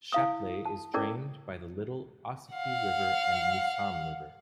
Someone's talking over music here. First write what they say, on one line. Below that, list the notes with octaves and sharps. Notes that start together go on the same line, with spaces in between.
Shapleigh is drained by the Little Ossipee River and Mousam River.
E4 F5 D#6
A5
C#4 E4 A4 A#4 D5 D6
F5 F#5